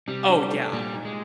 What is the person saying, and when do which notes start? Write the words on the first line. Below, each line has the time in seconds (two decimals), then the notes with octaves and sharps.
Oh, yeah.
0.08 C3 G3
0.29 D4
0.51 A3
0.72 A#2 G3
0.94 D#4
1.05 G#3